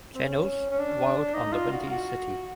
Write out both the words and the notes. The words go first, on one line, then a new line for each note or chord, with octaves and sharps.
Channel's "Wild on the Windy City".
C4
C#4
C#4
D4
D#4
F4
F#4
F#4